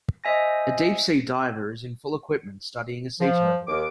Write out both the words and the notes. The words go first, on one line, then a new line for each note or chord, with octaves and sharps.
A deepsea diver is in full equipment studying a sea turtle.
C5 D#5 E5 G#5 A#6
F3
D#2 D6